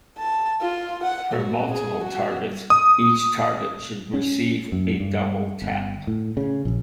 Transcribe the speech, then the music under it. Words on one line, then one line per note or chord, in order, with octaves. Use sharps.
For multiple targets, each target should receive a double tap.
A5
F4
F#5
F#4
G#4
F#4
D#6
C#4
F#2
G2
G1
A2
C#3
A#1